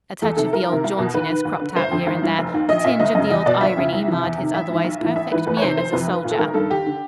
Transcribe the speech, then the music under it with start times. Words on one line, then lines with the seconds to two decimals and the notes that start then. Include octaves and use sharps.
A touch of the old jauntiness cropped out here and there, a tinge of the old irony marred his otherwise perfect mien as a soldier.
0.22 E2 A4
0.37 C3 D#3 A4
0.53 C2 A#4
0.69 C3 D#3
0.84 C2
0.99 B2
1.14 D#2 B4
1.30 D#3
1.45 D#2
1.61 D3
1.76 G1 C5
1.91 F2 D3
2.07 G#1
2.22 G2 E3
2.38 F1
2.54 D#2 D#3
2.69 A#1 D#5
2.84 A#2 E5
2.99 G1 D#5
3.15 F#2 C#3 D#5
3.31 E2 D#5
3.46 B2 D5
3.61 G1 E5
3.77 F2 C#3
3.93 C2
4.08 C3 E3
4.24 E2
4.38 C3 D#3
4.54 A1 E5
4.70 G#2 E3
4.84 B1
5.01 A2 E3
5.16 A1 E5
5.30 G#2 E3 B4
5.46 E2 B4
5.57 C#5
5.62 C3 D#3 C5
5.77 F1 C5
5.92 F2 C3 E3 B4
6.08 B1
6.24 A#2
6.31 A4
6.39 G#1 A#4
6.54 G2 D#3 A4
6.70 D#2 G4
6.86 D3